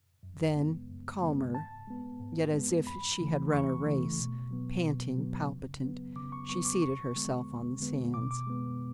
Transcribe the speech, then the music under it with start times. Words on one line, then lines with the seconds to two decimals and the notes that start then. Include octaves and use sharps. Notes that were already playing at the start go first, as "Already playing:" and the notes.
Then, calmer, yet as if she had run a race, panting, palpitant, she seated herself on the sands.
0.23 F#2
0.56 C#3 G#3 B3
0.89 F#2
1.22 C#3 G#3 B3
1.55 G#2 A5
1.87 G#3 B3
2.20 G#2
2.53 G#3 B3
2.86 E2 B5
3.20 C#3 E3 A3
3.52 E2 C#6
3.85 C#3 E3 A3
4.19 B2
4.51 F#3 B3
4.84 B2
5.17 F#3 B3
5.50 C#3
5.84 F#3 B3
6.16 C#3 D6
6.32 C#6
6.49 F#3 B3 C#6
6.65 D6
6.81 E2 C#6
7.15 D3 G#3 B3
7.48 E2
7.80 D3 G#3 B3
8.14 B2 D6
8.31 D6
8.47 G#3 B3